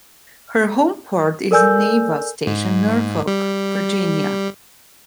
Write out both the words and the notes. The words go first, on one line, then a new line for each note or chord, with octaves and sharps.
Her home port is in Naval Station Norfolk, Virginia.
A4 A#4 D5 G#5 E6 G6
G#2
G3